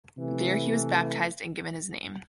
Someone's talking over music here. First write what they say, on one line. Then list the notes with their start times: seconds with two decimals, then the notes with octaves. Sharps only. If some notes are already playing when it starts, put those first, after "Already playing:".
There he was baptized and given his name.
0.17 C3 E3 A3